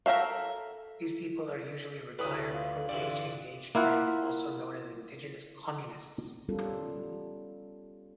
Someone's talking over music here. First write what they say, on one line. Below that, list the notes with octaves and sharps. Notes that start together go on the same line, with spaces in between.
These people are usually retired pro-Beijing aged men, also known as indigenous communists.
A4 A#4 C5 E5 F5
D2 A2 G3 B4 D#6
F4
G2 D3 E3 D5
A#3 E4 F4 F#5
G3 B3 C#4 F4 A4 A#4